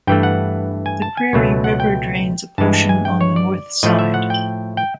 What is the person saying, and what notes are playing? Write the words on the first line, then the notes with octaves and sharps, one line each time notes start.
The Prairie River drains a portion on the north side.
G2 E3 A3 G5
F#5
G#5
A5
G#5
C#2 B2 F#3 A3
F#5
G5
G2 E3 G#3 A5
A5
G#5
G5
C#5
D5
A2 F3 A3 D#5
E5
F#5
G5
G5